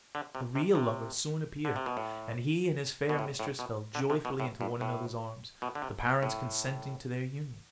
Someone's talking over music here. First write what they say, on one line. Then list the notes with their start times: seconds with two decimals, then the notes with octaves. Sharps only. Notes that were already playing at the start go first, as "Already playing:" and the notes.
The real lover soon appeared, and he and his fair mistress fell joyfully into one another's arms, the parents consenting to their union.
0.15 D3
0.35 C3
0.55 C3
0.75 C3
1.65 D3
1.76 C3
1.86 B2
1.97 A2
3.09 B2
3.19 A2
3.40 A2
3.59 B2
3.95 D3
4.10 C3
4.25 B2
4.40 A2
4.61 G2
4.81 A2
5.62 B2
5.75 D3
5.82 C3
6.23 A2